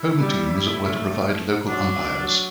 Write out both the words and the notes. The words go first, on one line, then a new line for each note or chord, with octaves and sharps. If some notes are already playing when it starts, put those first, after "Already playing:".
Home teams were to provide local umpires.
Already playing: E4
G3
A3
F#3 D4
F#3